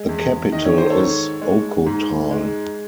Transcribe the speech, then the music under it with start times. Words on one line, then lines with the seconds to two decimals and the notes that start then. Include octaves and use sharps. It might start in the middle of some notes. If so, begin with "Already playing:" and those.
The capital is Ocotal.
Already playing: G#3
0.09 E2
0.52 D#3 D#5
0.65 C#5
0.78 C5
0.90 A4 C#5
0.97 G#2
1.41 G#3
1.86 G#2
2.31 G#3